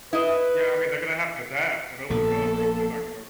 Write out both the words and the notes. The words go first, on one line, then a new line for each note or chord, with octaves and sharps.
Yeah, I mean, they're gonna have to adapt and overcome or else they're not gonna
E4 B4 D#5
A#1 A#2 B3 A4